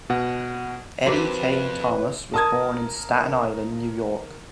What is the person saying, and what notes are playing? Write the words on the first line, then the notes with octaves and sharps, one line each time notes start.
Eddie Kaye Thomas was born in Staten Island, New York.
B2 F#5
F2 A#3 C4 F#4 G4 B4
A#4 A5 D#6 G#6